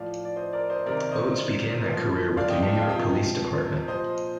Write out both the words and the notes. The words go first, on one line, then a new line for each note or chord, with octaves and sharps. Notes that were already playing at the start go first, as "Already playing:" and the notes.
Oates began that career with the New York Police Department.
Already playing: A2 F3 D5 F5
D5
C5 D#5
A#4 D5
C5 D#5
C3 D#3 A#4 D5
C5 D#5
A#2 F3
D5 F5
D#5 G5
F5 A5
G5
F5
C3 F3 D#5 G5
A#2 F3 C5 D#5